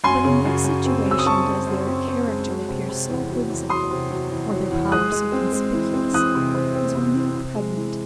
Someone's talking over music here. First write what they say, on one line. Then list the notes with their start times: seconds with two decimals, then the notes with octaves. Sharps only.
But, in no situation does their character appear so whimsical, or their power so conspicuous, as when they are pregnant.
0.04 F#2 G#5 C6
0.24 C#3
0.46 F#2
0.65 F#2
0.85 C4
1.06 F#2 E6
1.19 D#6
1.26 C4 A5 C#6
1.46 C4
1.67 F#2
1.87 C4
2.08 C4
2.27 G#3
2.48 F#3
2.69 C3
2.89 C3
3.09 E2
3.30 F#3
3.50 E2
3.69 F#3 C6 D#6
3.91 C3
4.11 F#3
4.31 E2
4.51 F#3
4.71 E2
4.92 G#3 D#6 F#6
5.12 G#3
5.32 C4
5.53 G#3
5.73 E3
5.94 C4
6.13 E3 D#6 F#6
6.35 C3
6.55 C3
6.75 C4
6.95 C3
7.15 E3
7.36 C3
7.56 G#3
7.77 E3